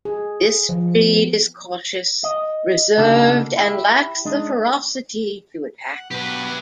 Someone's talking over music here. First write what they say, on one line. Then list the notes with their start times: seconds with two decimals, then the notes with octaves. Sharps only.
This breed is cautious, reserved and lacks the ferocity to attack.
0.05 G#4
0.69 F3
0.95 B3
2.23 D#5
2.98 C#3 A#3 D4 D#4 F#4 A4
3.56 E4 G4
4.25 G#3 D4 D#4
5.92 F#5
6.11 B2 F#3 B3 G4 B4